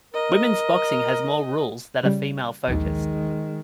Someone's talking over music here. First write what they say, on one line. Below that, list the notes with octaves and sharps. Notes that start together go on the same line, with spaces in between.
Women's boxing has more rules that are female focused.
A#4 D#5
C#3 G3
A#1 D#2 D#3 G#3